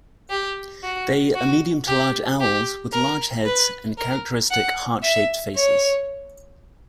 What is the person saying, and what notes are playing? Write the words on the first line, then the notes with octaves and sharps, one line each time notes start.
They are medium to large owls with large heads and characteristic heart-shaped faces.
G4
F#4
F#4
G4
G4
A#4
B4
A#4
F#5
E5
C#5